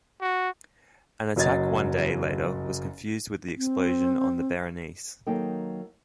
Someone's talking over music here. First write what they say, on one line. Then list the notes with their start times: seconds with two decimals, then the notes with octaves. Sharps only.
An attack one day later was confused with the explosion on the Berenice.
0.21 F#4
1.36 F#1 F#3 D#5 G#6 A6
3.57 C4
5.27 D#3 F#3 A#3 D#4 A4 G5